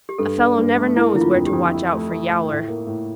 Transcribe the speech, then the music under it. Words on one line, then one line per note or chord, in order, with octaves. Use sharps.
A fellow never knows where to watch out for Yowler.
G4
G2 A4
D4
G2
A3
A#3 E4
D3 E4
F4
F2
G4
F2
E4
A3
A3
A3
A2
A#3
A2